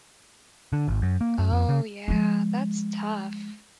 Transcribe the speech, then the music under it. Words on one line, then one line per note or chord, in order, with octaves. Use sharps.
Oh, yeah, that's tough,
D3
G#1
F#2
A#3
F#2
F2
C#3
F3 G#3